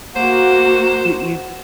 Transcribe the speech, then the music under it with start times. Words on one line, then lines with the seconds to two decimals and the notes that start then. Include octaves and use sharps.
You you ju
0.16 A#3 F#4 C5 F#5 E7